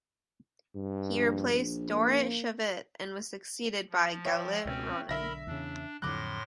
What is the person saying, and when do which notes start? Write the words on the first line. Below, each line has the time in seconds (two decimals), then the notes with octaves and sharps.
He replaced Dorit Shavit and was succeeded by Galit Ronen.
0.75 G2
1.12 A#1
1.92 A#3
3.90 F3
4.25 C#5 E5 G5
4.65 C#2 B2 C4 C#4
5.09 B1 D3 A#4 E5 B5 A#6
5.47 E2 C#3 D4
6.02 F2 A2 D3 F#3 C6 D6 F#6 A#6